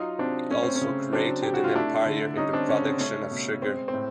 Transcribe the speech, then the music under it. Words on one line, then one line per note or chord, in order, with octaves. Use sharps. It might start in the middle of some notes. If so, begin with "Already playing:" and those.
He also created an empire in the production of sugar.
Already playing: F#3 D#4 F4
C3 C4 D4
A3 C#4
C4
C#4
C#3
F#3 C4 D4
C3 G4
F#4
F4
A3 D4 E4
D3
G3 C#4 D#4
C4 D4
C#3 C#4
C4
A3 C#4
B2
G#3 C4
C4
A2